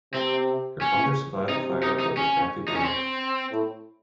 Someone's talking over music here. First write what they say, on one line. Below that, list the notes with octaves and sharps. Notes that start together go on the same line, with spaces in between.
Her father survived the fire but was badly burned.
C3 C4
C#4
C3 D#4
D#4
D#4
C#4
D#4
C#4
C4
A2